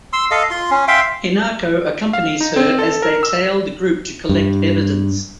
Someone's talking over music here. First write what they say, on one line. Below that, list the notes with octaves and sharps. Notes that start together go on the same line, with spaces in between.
Hinako accompanies her as they tail the group to collect evidence.
C6 E6
A4 D#5 F5
F4 C6
C#4
E5 F5 G5 C6
F5
D#4
C4
A4
A#4
E6
G2